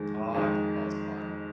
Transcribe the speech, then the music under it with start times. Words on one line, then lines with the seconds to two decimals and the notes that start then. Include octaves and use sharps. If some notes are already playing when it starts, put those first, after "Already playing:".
Ah, kickball is fun.
Already playing: F2 D#3 G#3
0.35 F2 D#3 G#3